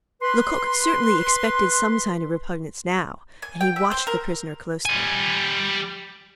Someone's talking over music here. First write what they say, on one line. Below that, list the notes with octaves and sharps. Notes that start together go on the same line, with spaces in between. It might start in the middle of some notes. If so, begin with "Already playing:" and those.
Lecoq certainly expected some sign of repugnance now, and he watched the prisoner closely.
B4 C6
G#5
G5
E5
C5
A#4
G3 G#5